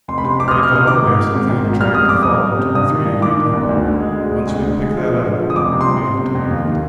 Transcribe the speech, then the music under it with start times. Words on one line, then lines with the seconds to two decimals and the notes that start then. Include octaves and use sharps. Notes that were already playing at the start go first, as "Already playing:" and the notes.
Pray God we have something of a track to follow to the Three Degree Depot--once we pick that up we ought to be right.
0.08 F1 C6
0.18 B5
0.24 C3 C6
0.40 F1 D6
0.48 F6
0.51 D#6
0.56 F1
0.63 F6
0.71 C3 D#6
0.86 D#3 D6
1.02 G#2
1.18 G#2
1.34 G#1
1.50 G#1
1.65 G#2
1.81 G3 F6
1.94 F2 D#6
2.09 F2 D6
2.23 D#6
2.28 G3
2.43 G3
2.59 C3
2.75 G2 D#6
2.90 D#3
3.06 G2
3.21 G2 D6
3.37 D#3
3.53 G1
3.69 D2
3.84 D3
4.00 G#3
4.15 D2
4.31 G#3
4.47 D2
4.62 D3
4.78 G#3
4.94 F3
5.10 G#3
5.25 D3
5.41 F3
5.50 D#6
5.56 F1 D6
5.72 C3
5.81 C6
5.88 G3
6.03 C3
6.19 C3
6.35 F2
6.51 D#2
6.67 D#3